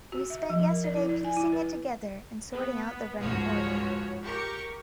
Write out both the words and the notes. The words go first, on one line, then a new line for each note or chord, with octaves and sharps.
We spent yesterday piecing it together and sorting out the running order.
F#4
E5
F3
A#4
D5
E4
D5
G#5
E4
B4
B3
C#2 G#2 F3 F#4 C#5
G4 A#4 C#6